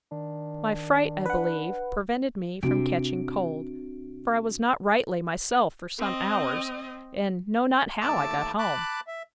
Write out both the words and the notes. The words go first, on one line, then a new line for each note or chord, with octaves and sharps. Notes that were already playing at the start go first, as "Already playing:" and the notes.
My fright, I believe, prevented me from catching cold: for I was not rightly myself for some hours, and know not how I got home.
D#3 D4
B4 F#5
C3 D4 F#4 D7
C4 D#5
D#2 A3 A5 D6 E6
A5 B5 D6 F#6
E5